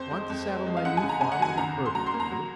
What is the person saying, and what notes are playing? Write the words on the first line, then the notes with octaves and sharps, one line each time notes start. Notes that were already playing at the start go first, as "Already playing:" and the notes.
Want to saddle my new farm with a murder, do you?
Already playing: F2 C5
G#3
F2
G#3
G#3
F5
F#2 F#5
G#5
C#3
A#5
C#3 G#5
F#5
F#3 G#5
C#2 A#5
C3
C6
F#3 A#5
C6
A#3
A#5
F#3